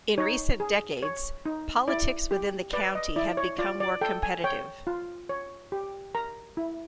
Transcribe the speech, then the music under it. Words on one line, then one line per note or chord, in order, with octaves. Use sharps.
In recent decades, politics within the county have become more competitive.
D#4 C#5
G#4
C#5
D#4
E4 D5
G4
B4 D5
D#5
E4 D5
C#5
F4 D5
D5
A4 G5
G#5
C#5 G5
F4
C#5
G4
A#4 A#5
E4